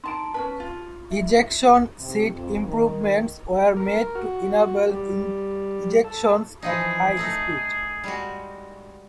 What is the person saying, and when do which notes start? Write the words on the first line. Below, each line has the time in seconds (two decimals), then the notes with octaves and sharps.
Ejection seat improvements were made to enable ejections at high speed.
0.04 D#4 A5 A#5 C6 D7
0.34 C#4 D#4 B4 A5
0.60 F4
1.11 E5
2.00 C3
2.33 F2
2.66 D#3
3.77 A#4
4.15 F#4
4.90 G3
6.04 A4
6.62 E3 F3 D#4 G#4
7.17 A3 D#4 A4
8.04 G3 G#3 F#4